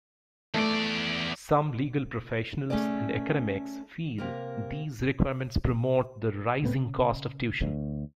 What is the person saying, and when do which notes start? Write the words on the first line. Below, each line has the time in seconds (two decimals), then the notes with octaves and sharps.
Some legal professionals and academics feel these requirements promote the rising cost of tuition.
0.54 E2 A3 D5
2.70 A3 C#4 G#4 A4 D5
4.18 C3 A#3 A#4
6.62 C#2 A2 B3 C4
6.75 C#3
7.62 D2